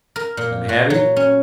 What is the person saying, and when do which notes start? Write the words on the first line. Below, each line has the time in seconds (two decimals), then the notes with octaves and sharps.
And Hattie?
0.16 A#4
0.37 A#2
0.69 F#4
0.90 F#3
1.16 C#4